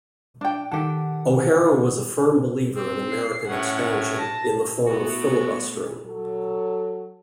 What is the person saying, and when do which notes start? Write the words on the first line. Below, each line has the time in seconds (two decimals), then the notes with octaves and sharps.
O'Hara was a firm believer in American expansion, in the form of filibustering.
0.41 D4 G5
0.71 D#3 G4 A4 F#5
2.75 C4
3.10 C7
3.48 A2 C#4 F#5
4.15 A5 A#6
4.87 A3 B3 F#4
6.04 F#3 A4